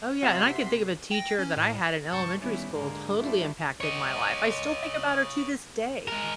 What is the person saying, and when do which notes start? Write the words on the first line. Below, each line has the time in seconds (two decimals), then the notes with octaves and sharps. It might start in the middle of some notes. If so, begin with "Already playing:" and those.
Oh, yeah, and I could think of a teacher that I had in elementary school totally impacted my life. I still think about her to this day.
0.23 C3 F#4 E5 C6 B6
1.11 G5 A#6
1.39 C#4
1.57 A2
2.10 G2 C3 A5 C#6 G6 A6
2.39 D#3 G3 B3 C#4 E4 G4
2.73 G#2 D3 G#3 A#3 D4
3.16 G3 A3 D4 E4 F4
3.81 C#5 D#5
6.08 G#3 A#4